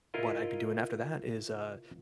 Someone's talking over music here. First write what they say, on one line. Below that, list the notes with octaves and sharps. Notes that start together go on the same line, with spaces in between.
What I'd be doing after that is, uh
E4 F4 A#4 D#5